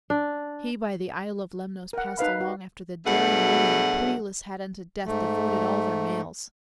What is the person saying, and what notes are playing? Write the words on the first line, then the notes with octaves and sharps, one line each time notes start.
He by the isle of Lemnos passed along After the daring women pitiless Had unto death devoted all their males.
D4
A#4 F#5
D#4 B4 F5 B5
F#4
G2 B2 F#3 A3 G#4 F#5
G#2 A3